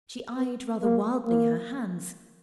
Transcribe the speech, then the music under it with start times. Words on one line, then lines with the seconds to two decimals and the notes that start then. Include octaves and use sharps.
She eyed rather wildly her hands.
0.36 B3
0.82 A#3
1.26 A#3